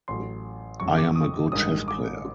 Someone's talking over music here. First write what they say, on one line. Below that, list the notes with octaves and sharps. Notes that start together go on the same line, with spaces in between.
I am a good chess player.
A1 A2 F#3 C6
G1 F2 C#3 C#6
D6
D#6
A1 G2 D#3 G#3 D#6
D6